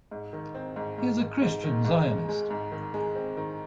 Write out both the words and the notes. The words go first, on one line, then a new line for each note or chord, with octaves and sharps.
He is a Christian Zionist.
G#2
D#3
C4
G#2
G#2
G#2
G#2
D#3
G#2
G#2
G#3
G#2
D#3
G#3
C4
D#3